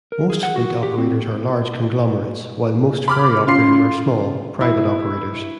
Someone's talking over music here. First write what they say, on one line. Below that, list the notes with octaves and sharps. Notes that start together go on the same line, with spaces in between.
Most fleet operators are large conglomerates, while most ferry operators are small, private operators.
A#4
G#4
F#5
F#4
G4
C4
B5 D6 F6
C#4 F4 C6 C7
E4